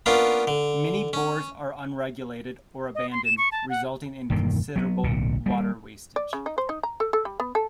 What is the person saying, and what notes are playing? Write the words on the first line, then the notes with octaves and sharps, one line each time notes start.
Many bores are unregulated or abandoned, resulting in considerable water wastage.
A#3 B3 C#4 D4 F4
D3
C#4
D#5
C6
E7
C#6
A5
F#5
E1 G2 D#3 A#3
F#3 B3
D1 B1 A#2
G3 G#3 A#3
D5
C#3
D#4
C5
D#4
A#5
A4
A4
G3
B3
A4